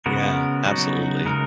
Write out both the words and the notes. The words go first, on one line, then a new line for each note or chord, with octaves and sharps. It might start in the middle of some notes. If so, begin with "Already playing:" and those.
Yeah, absolutely.
C#3 G#3 B3 F#4 A#4
C#3 F#3 B3 D#4 F#4
C#3 G#3 D#4 A#4